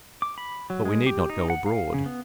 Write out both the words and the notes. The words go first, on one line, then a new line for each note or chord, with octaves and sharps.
But we need not go abroad.
D6
B5
F#3
G#3
G4
D#4
F#5
F5
C#3
B3